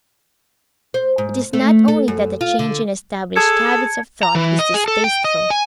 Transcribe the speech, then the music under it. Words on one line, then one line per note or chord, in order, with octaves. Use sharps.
It is not only that a change in established habits of thought is distasteful.
C5
G#2
A3
A4
F#2
F4
D3
G#4 A4 A5 G#6 C#7
A#5
E3
D#5
G#4
A4
G5
D#5
G#5